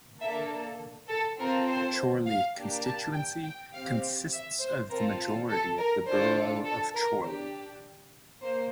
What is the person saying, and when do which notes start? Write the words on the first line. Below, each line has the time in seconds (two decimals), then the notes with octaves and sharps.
Chorley constituency consists of the majority of the borough of Chorley.
0.21 A#3 D4 A4 E5
1.09 A4
1.39 C4 F4 A4 A#4
1.67 C5
2.26 F5
2.56 A#3 D4 G4
2.85 A5
3.14 G5
3.43 G5
3.72 C4 G4 F5
4.32 E5
4.60 C5
4.90 C4 F4 A4 A#4
5.49 A4
5.78 A#4
6.06 D4 F4 A4 C5
6.65 A4
6.94 A#4
7.24 D4 G4 C5
8.41 A#3 C5